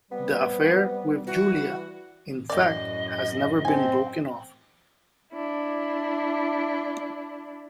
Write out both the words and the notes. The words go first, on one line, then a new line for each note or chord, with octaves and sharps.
The affair with Julia, in fact, has never been broken off.
C3 G3 B3
E3 F#4
F#2 A2 D#3 D5 D#5
C4 A4 G#5
D4 E4